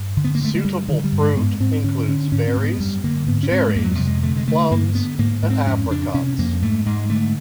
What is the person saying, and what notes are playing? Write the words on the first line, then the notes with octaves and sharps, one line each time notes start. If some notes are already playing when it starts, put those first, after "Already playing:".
Suitable fruit includes berries, cherries, plums and apricots.
Already playing: G2
D3
B3
A#3
D3 A3
G#3
G2 G3
D3 D#3
G3
G2
G#3
G#2 B3
G#2 C4
D3 C#4
D3 C#4
G#2 C#4
C4
G#2
B3
F#2 G3
D3 A#3
G#2 B3
C#4
G#2 C4
A3
F2 A#3
F#3
G3
C3
G#3
D3 A3
G#3
D3 A3
G2 A#3
D3 B3
G#2 A#3
G#2
C4
F2 C#4
C#3 D4
C3 C#4
F2 A#3
G#2 A3
G#2 G#3
D3 A3